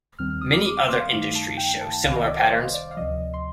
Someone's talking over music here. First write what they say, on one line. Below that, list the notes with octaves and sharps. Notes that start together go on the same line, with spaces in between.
Many other industries show similar patterns.
D#2 D#3 G3 C4 F6
F6
D#6
D6
D6
D6
C6
F5
G2 D#3 A3 D#4 F5
A5
G5
G5
A5
A5
C2 C3 D#3 F5
D#5
D5
C5
C5
C5
D5
F5
D2 C3 F3 D#5
C6